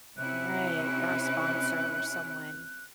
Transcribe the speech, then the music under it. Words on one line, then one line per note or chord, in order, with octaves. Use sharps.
Right. Or a sponsor or someone.
C3 C#4 E4 F#6